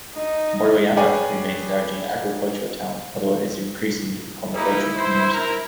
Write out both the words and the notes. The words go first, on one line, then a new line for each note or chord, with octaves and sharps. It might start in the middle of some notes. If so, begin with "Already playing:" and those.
Moroyama remains largely an agricultural town, although it has increasing become a bedroom community.
D#4
G#4 B4 C#5 D5 G5 G#5
G3 A#3 D#4 E4
C5
A#4 A#5